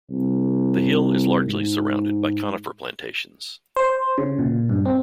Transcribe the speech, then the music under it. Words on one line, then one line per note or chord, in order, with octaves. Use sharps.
The hill is largely surrounded by conifer plantations.
C2
G#2
C5
C#3
A#2
G2
C4